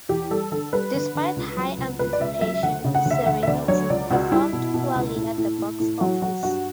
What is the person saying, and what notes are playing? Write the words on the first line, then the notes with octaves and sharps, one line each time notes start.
Despite high anticipation, "Serenity" performed poorly at the box office.
E2 G4
G3 A4
D3 A4
G3 B4
D3
D3
C#2
F#3
C#2
C#2 B4
D5
C#2 E5
F#3 E5
D2 F#5
C#3
F#5
D2
E5
D2 F#5
E5
D2 D5
F#3 C#5
C#2 D5
C#2 F#4
G3 E4
B2
B2
C#2
A2
A2
A2
A2
F#3 F#4
F#3 F#4
G2 F#4